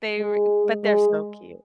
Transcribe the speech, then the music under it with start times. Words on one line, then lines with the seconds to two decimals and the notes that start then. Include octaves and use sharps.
They re but they're so cute.
0.19 G#3
0.84 G#3